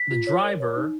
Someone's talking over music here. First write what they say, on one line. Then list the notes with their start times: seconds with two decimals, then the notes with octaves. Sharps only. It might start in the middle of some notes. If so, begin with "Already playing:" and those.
the driver,
Already playing: B6
0.11 F4
0.27 C#5
0.43 A#4
0.60 C#5
0.77 D#4